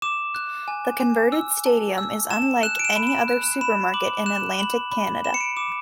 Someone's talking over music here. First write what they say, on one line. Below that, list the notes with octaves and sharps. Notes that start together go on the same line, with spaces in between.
The converted stadium is unlike any other supermarket in Atlantic Canada.
D6 E7
F#6
G#5
G#5
E6
A5
E6
A5 E7
F#6 E7
D7
E7
B5
E7
F#6
B5 E7
D6 F#7
F#6 E7
B5 F#7
B5
B5 E7
C#7
D7
D6 E7